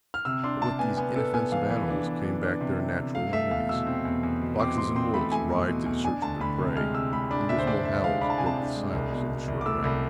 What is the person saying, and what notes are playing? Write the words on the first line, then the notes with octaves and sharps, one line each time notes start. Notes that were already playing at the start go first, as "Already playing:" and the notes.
But with these inoffensive animals came back their natural enemies. Foxes and wolves arrived in search of their prey, and dismal howls broke the silence of the short night.
F6
C3 E6
D4 C6
C3 A5
B3 G#5
B3 G#5
B3 A4
B3 G#5
E3 F5
E3
D4
B3
D4
D4
C3
C3
C3
A3 F5
A3 E5
E2 F5
B2 E6
C4
E2
E2
B2
C4 D6
C4 C6
C4 C6
A3 B5
A3 G#5
E2
B2
E2
D4 G#5
D2 A5
D2 B5
C3
G#3 F6
C3 E6
G#3 B5
D4 B5
D2 E5
C5
D4 D5
D2 E5
G#3 F5
D4 B5
A5
C3 G#5
A5
D4
G#3
C2
B2
B2
C2
D6
A3 E6
C2 B5